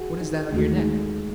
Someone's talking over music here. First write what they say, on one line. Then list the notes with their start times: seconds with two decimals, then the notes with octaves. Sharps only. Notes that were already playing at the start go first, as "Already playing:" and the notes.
"What is that on your neck?"
Already playing: F#4 G#4
0.21 D#4
0.52 D#2 D#3 G#3 A3 D#4 F#4
0.77 G#3
1.00 A3